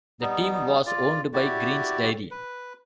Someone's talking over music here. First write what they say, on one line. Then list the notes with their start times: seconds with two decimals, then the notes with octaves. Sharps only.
The team was owned by Green's Dairy.
0.21 G3 B3 D#4
0.86 F4 D5
1.34 E4 F#4 G4 D5
2.31 B4